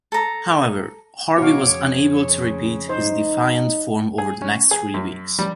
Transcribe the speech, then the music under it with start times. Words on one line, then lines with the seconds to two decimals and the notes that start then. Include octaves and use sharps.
However, Harvey was unable to repeat his defiant form over the next three weeks.
0.12 A4 A#5
1.38 B2 F#3 F#4 C#5 F5 D6
1.70 F2 C#3
2.89 D#4 C5
4.18 G#4
4.42 C#4
4.71 G#4
4.94 F#2
5.39 G3